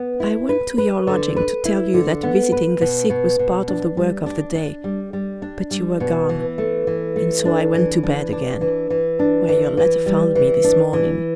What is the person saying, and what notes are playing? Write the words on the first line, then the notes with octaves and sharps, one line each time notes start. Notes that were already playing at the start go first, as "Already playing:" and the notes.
I went to your lodging to tell you that visiting the sick was part of the work of the day, but you were gone, and so I went to bed again, where your letter found me this morning.
Already playing: B3
E4
B4
B4
D3
B4
E4
D3
B3
B4
B2
B2
B2
D4
G3
D4
D4
G3
G3
D4
G3
B2
E3
A3
E3
A3
D4
E3
D4
D4
E3
E3
D4
E3
E3
G3
E3
D4
E3